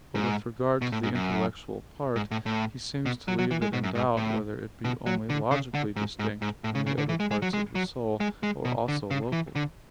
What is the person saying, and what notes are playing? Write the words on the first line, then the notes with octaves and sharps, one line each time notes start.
But with regard to the intellectual part, he seems to leave it in doubt whether it be "only logically" distinct from the other parts of the soul, "or also locally."
G#2
B2
A2
G#2
F#2
G#2
A2
A2
B2
F#3
F#3
E3
G#3
B2
F#2
G#2
A2
B2
F#3
D3
C#3
D3
G#2
G#2
G#2
A2
C#3
C#3
D3
E3
G#3
G#3
F#3
G#3
F#3
G#3
G#3
B2
D3
C#3
E3
D3